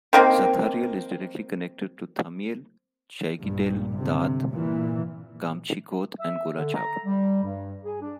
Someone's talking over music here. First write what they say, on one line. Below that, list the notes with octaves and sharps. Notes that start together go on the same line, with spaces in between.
Sathariel is directly connected to Thamiel, Chaigidel, Da'at, Gamchicoth and Golachab.
D#3 A#3 C4
A#1 G2 A#2
G1 C3
A#2 E3
E5
D3
A#5
G3
G2
G#4
D4